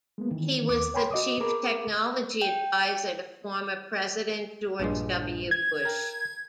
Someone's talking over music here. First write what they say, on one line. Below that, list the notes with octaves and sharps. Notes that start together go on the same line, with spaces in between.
He was the chief technology advisor to former President George W. Bush.
G#3 A#3 B3
D#3 E3
D#2 D6
C#5 G5 G#5 B5 C6
F#4 D#5 D6 D#6
G#4 A#4 B5 D6
G5
A#1 G2 G#3
G#6
A#4 G5